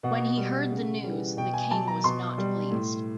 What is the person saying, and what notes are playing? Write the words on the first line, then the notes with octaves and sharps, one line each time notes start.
When he heard the news, the King was not pleased.
B2 F#5
G3
C#3
E3 G3
B2 G5
G#5
F#3 A5
A#5
B2 C6
G3
A2